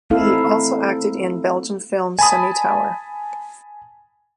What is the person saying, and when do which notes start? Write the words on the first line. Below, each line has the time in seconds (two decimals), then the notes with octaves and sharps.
He also acted in Belgium film "Semi Tower".
0.10 A3 C4 D#4 E4 A4 F5
2.19 G#5 A5 B5 D#6